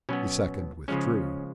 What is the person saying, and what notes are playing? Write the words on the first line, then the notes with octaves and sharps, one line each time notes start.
The second withdrew.
B2 F#3 B3 C#4
C#3 F3 G#3 C#4